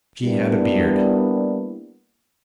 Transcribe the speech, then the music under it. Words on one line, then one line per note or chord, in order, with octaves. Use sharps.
She had a beard.
G3 A#3 B3 D4 E4